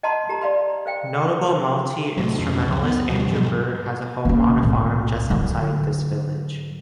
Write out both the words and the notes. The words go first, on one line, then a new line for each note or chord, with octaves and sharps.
Notable multi-instrumentalist Andrew Bird has a home on a farm just outside this village.
D#5 F#5 A5 A#5 C6
G4 A#5
D5 F5 B5 C6
C5 F5 G5
A2 F#3
F2 C#3
C#2 F#2
B3
D2 F3 G3
G#2 B2 F#3 G3
A#3 C#4
C2 A2
D3 F#3